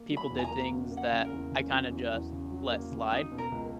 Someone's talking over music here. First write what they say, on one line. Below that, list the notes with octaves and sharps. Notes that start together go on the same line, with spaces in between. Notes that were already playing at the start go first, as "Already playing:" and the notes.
people did things that I kinda just let slide.
Already playing: A#3
F#3
B5
E2
G#5
A#5
A#3
C#3
A#3
F#5
C#3
A#4
E2
C#3
F#3
E2
E2
C#3
F#3
A#3
C#3
F#3 D#4
B2
A#4
C#2